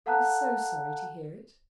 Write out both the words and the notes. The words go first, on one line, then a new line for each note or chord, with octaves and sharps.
"I was so sorry to hear it."
A4 F5 F#5 A5 A#5 F#6